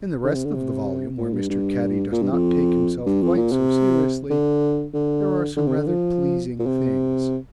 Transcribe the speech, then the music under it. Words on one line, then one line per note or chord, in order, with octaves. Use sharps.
In the rest of the volume, where Mr. Catty does not take himself quite so seriously, there are some rather pleasing things.
D3
C3
D3
C3
A#2
G2
G2
A#2
G2
F2
G2
F2
A#2
C3
D3
D3
D3
C3
D3
F3
A#2
C3